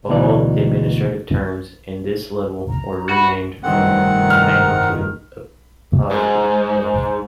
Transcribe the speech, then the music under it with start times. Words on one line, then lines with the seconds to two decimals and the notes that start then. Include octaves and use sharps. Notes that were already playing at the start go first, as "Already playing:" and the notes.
All administrative terms in this level were renamed from "thana" to "upazila".
0.09 D2 B2 E3 D#4 D5
2.69 A#5
3.09 F#4 B5
3.63 F1 G2 D#3 C4 F#5
4.30 F6
6.11 G#2